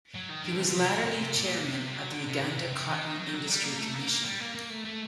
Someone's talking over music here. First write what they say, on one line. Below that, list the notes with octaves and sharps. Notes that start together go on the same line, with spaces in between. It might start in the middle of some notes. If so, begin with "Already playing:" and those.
He was latterly Chairman of the Uganda Cotton Industry Commission.
F#3
D#3
D#3
D3
C3
D3
C3
A#2
C3
C3
A#2
C3
G3
F#3
D3
C3
C3
C3
C3
D#3
F#3
D#3
F#3
G3
A#3
A3
A#3
A#3
G3
A#3
A#3
A3
A3